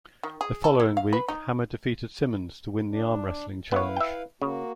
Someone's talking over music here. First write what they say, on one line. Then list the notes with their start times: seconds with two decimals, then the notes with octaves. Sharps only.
The following week Hammer defeated Simmons to win the arm wrestling challenge.
0.23 D#3
0.41 G#4
0.64 A4
0.80 E4
0.97 F5
1.13 B4
1.28 D#4
2.90 D4
3.72 B3 E4 B4 C#5 F5
3.97 E5 G5
4.42 C#3 A#3 F#4